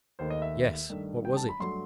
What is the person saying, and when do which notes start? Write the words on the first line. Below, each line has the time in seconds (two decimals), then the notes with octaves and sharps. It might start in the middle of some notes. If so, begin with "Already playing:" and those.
"Yes, what was it?"
0.19 D#2 D#3 A3 C5
0.30 D#5
0.42 E5
0.90 G2 D#3 A3
1.25 G5
1.37 A5
1.49 B5
1.60 G2 F#3 A3 C6